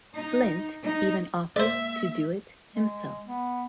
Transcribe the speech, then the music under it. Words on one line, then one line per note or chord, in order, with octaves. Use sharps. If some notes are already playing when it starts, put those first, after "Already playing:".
Flint even offers to do it himself.
D#4
D#4
G#3 A#3 C5 D5 E5
G#3
B3